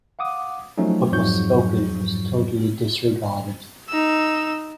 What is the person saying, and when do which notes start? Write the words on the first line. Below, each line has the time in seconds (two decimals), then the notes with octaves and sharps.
What was spoken was totally disregarded.
0.19 F5 F#5 D6 D#6
0.78 F3 F#3 A3 C#4 D#4
1.12 F2 G#2 F3 F#3 C#6 G6
3.89 D#4 E6